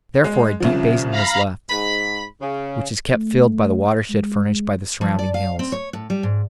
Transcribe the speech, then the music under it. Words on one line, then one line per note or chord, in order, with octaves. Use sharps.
Therefore a deep basin was left, which is kept filled by the watershed furnished by the surrounding hills.
G#3
C2 C#3 F3
F5 A#5 B5
G#2 B5
C#3
A3
G#3
F3
D5
F5
C4
C#5
A2
G3
G#2